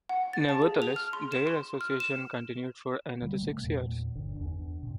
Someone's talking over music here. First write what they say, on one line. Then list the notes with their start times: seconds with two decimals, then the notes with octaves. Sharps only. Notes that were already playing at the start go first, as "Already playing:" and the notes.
Nevertheless, their association continued for another six years.
0.09 F#5
0.33 A6
0.49 A5
0.62 G#4
0.82 F7
0.96 F6
1.13 C6
1.32 E7
1.47 C6
1.81 F6
2.00 E7
3.22 D3 G3
3.42 C3 A3 A#3
3.63 E2 A#2
4.15 G1 D3
4.41 E2 D4
4.83 G#2 C3